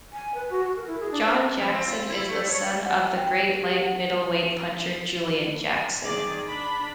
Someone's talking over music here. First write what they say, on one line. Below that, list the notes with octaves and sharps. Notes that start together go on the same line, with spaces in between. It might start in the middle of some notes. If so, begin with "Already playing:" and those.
John Jackson is the son of the great light-middleweight puncher Julian Jackson.
G#5
B4
F#4
F#4
A#4
E4
G#4
D4
C5
F3
C4
F4
E4
A3
C#5
F#5
G5
G4
F#5
D#3 G#4 D5
D4 B5